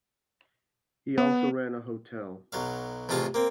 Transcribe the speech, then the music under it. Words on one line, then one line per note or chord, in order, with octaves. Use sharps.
He also ran a hotel.
B3
B1 F#3 F5
A1 C3 A3 F4 G#4 F5
A#3 C4